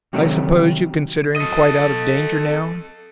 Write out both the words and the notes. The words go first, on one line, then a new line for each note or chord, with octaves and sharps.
"I suppose you consider him quite out of danger now?"
C3 D#3 F#3 A3 C4 G4
A4 D#5